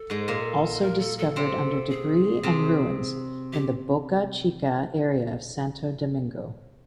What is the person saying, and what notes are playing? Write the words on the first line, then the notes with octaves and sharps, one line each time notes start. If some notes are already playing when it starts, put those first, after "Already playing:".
Also discovered under debris and ruins in the Boca Chica area of Santo Domingo.
Already playing: A4
G#2 G#3
A#2 A#3
A#4
A4
A4
C3 C4
G#4
C3 C4
G4